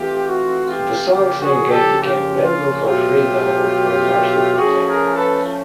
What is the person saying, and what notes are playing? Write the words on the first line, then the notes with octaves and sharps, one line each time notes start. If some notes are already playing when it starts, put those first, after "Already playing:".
The song "Sing Again" became available for free download from Barsuk's website.
Already playing: E3 A3 C4 F4 G4
F#4
F4 G4
C#3 F3 A#3 C#4 F4 G4
F#4 G#4
G4 A4
F4 G4
F4
B2 F#3 A3 F4 G4
F3 A3 C#4 F4 F#4 G#4
G#4 A#4
A4 B4